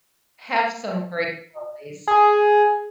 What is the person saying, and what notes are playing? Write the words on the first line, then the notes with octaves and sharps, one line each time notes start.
have some great holidays,
G#4